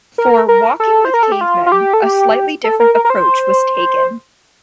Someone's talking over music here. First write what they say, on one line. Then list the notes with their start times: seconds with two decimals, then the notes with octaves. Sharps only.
For "Walking with Cavemen", a slightly different approach was taken.
0.18 A#4
0.49 A#4
0.80 A4
1.05 C5
1.14 A#4
1.23 A4
1.32 G4
1.41 F4
1.66 F4
1.72 G4
1.93 A4
2.02 G4
2.64 A4
2.80 A#4
2.95 A#4
3.05 A#4
3.10 C5